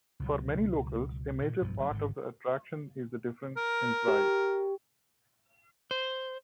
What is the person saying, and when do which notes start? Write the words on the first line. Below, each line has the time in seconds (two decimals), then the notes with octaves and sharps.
For many locals, a major part of the attraction is the difference in price.
0.20 C#2 B2 F#3
1.41 A#2 C#3
1.61 B1 G2 B2 F3
1.78 F#1 F#3
1.90 G#1 G#2 D3
3.57 A#4
4.08 G4
5.91 C5